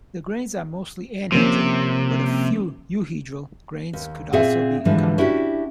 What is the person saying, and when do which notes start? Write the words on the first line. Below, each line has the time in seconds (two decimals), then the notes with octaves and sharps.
The grains are mostly anhedral, but a few euhedral grains could also be encountered.
1.32 C3 F3 A#3 C#4
3.93 D#2
4.33 A#2 C4 G#4 D5 E5 F#5
4.85 G#2 D3 E3 F3 G3
5.18 C#4 D4 E4 F#4 G4